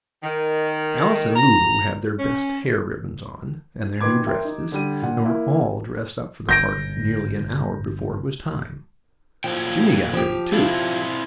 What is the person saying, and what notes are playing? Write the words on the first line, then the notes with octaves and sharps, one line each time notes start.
Alice and Lulu had their best hair ribbons on and their new dresses, and were all dressed up for the party nearly an hour before it was time. Jimmie got ready, too.
D#3
A#5
C#4
A#2 D#3 B4 C6 D6 G#6
A#4 E5 G5 C6
D#4
D3 G3 D#7
A#2 D4 F#5
A#3 E4
G1 G6 A#6 D7
A#2 F3 F#3 G5
F3 G4
C4 E4 F4